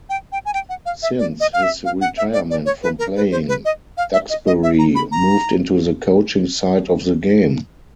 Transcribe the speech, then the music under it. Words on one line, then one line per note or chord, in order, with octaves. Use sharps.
Since his retirement from playing, Duxbury moved into the coaching side of the game.
G5
G5
G#5
G5
F#5
F5
E5
D5
D#5
F5
E5
F5
F#5
E5
D5
D5
C#5
B4
A#4
B4
C5
B4
D#5
F5
E5
D#5
D#5
E5
A#5
B5
A#5